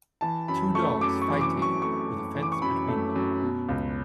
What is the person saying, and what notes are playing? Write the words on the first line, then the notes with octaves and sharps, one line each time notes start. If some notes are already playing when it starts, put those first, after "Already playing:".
Two dogs fighting with a fence between them.
E3 A5
F#2 B5
A3 C#6
F#2 D6
C#6
E3
D6
F#2
C#6
A3 C#6
F#2
E3
D6
C#6
F#2 B5
A3
F#2
B2
C#2